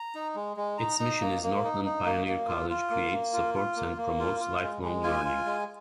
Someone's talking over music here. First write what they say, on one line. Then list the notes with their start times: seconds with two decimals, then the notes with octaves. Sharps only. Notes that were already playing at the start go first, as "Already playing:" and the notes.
Its mission is Northland Pioneer College creates, supports and promotes lifelong learning.
Already playing: A#5
0.15 D#4
0.35 G#3
0.57 G#3
0.78 D#4 A#5
0.99 D#4
1.21 A#3
1.43 A#3
1.64 D#4
1.85 D#4
2.05 A#3
2.27 A#3
2.48 F4
2.70 F4
2.90 A#3
3.12 A#3
3.33 F4
3.54 F4
3.76 A#3
3.97 A#3
4.19 F4
4.40 F4
4.61 G#3
4.83 G#3
5.04 F4 G#5
5.25 F4
5.46 G#3